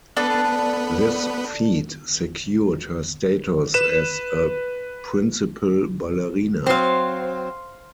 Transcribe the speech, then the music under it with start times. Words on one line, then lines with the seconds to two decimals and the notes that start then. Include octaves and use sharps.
This feat secured her status as a principal ballerina.
0.17 B3 D4 A4 B4 D5
3.74 B4 E7
6.66 F#3 C4 C5 F5